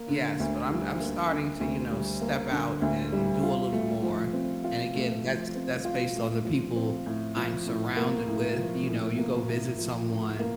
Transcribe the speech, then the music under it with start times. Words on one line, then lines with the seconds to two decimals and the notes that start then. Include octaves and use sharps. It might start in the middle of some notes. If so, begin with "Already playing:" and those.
Yes, but I'm I'm starting to, you know, step out and do a little more, and again that's that's based on the people I'm surrounded with, you know, you go visit someone
Already playing: A#3
0.09 D3
0.40 D2
0.70 G3
1.00 A#3
1.31 D3
1.60 D2
1.91 G3
2.21 A#3
2.51 D3
2.82 D2
3.12 G3
3.43 F4
3.72 A3
4.03 F3
4.33 C4
4.64 F4
4.95 A3
5.24 F3
5.55 C4
5.85 F4
6.16 A3
6.45 F3
6.76 C4
7.06 A2
7.37 F3
7.67 A2
7.97 A#3
8.27 A2
8.58 F3
8.88 A2
9.18 A#3
9.48 A2
9.79 F3
10.09 A2
10.39 A#3